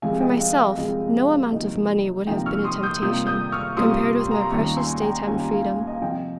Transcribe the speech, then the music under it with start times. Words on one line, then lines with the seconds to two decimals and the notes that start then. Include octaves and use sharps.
For myself, no amount of money would have been a temptation, compared with my precious daytime freedom.
0.02 C2 C3 F3 G#3 F5 G#5
0.21 D#5 G5
0.40 F5
0.58 D#5
0.77 C2 C3 F3 G#3 D#5
1.52 C3 F3 A#3 D#4 D#5
2.27 C3 F3 A#3 D#4 D#5 G5
2.46 C#6 F6
2.64 C6 D#6
2.83 D#6 G6
3.02 C3 G3 A#3 F4 D#6 G6
3.27 D#6 G6
3.52 C#6 F6
3.77 C3 G3 A#3 F4 C6 D#6
4.31 A#5
4.41 C6
4.52 D#2 D#3 G3 C#4 F4 A#5 C#6
4.77 G#5 C6
4.94 C6
5.02 G5 A#5
5.27 D#2 D#3 G3 C#4 F4 G#5
5.39 A#5
5.52 F5 G#5
5.87 D#5
5.94 F5
6.02 C2 C3 F3 D#5 G5